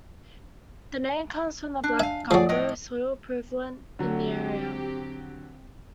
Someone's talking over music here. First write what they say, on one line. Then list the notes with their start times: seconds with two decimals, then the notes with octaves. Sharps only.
The name comes from the "black gumbo" soil prevalent in the area.
1.84 D4
2.00 E5 F5 G#5
2.31 F3 F#3 G#4 D5 G#5
2.49 A2 D#5
3.99 D3 F#3 C4 G4